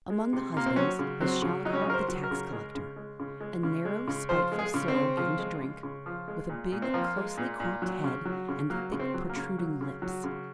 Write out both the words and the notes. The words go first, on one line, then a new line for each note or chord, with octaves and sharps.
Among the husbands was Shalikov, the tax-collector--a narrow, spiteful soul, given to drink, with a big, closely cropped head, and thick, protruding lips.
G#3
C3
C3 A#3
C4
F#3 C#4
C#3
F#3 C4
C#3
F#3 D#4
C#4
D#4
C#3 A#4
C5
F#3
A#4
C#3
G#3
C#3
G#3
C#3
G#3
C#3
G#3
C#3
F3 C5
G#3
G#4
C#3
C4
C#3
F3
G#3
C#3
C#3
F3
G#3
A#2
A#2
C4
F3 A#3
G#3
A#2
A#2
F#3
C#3
F#3
C#3
F#3 A#3
C#3
C4
F#3
A#3
C#3
F#3
C#3
F#3
C#3